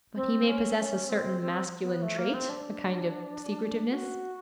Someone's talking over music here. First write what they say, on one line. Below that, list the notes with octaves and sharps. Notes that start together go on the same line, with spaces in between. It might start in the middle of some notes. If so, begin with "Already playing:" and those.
'But he may possess a certain masculine trait, a kind of secretiveness.'
C4
C#4
C#4
C4
C4
B3
A3
A#3
C4
D4
F#4